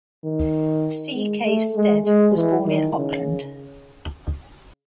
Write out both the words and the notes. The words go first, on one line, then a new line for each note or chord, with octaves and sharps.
C. K. Stead was born in Auckland.
D#3
G#3
A3
G#3
G#3
E3
D#3
C#3